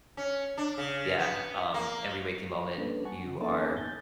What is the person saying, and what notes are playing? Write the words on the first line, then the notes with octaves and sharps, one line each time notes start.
yeah, um, every waking moment, you are
C#4
D4
C#3
B3
A#3
G3 A#3 C#4 D4 A4 B4
F#5 G#5 A5 C#6
C#3
A#3 B3 C#4 D#4 A4 A5
G#5 G6 A6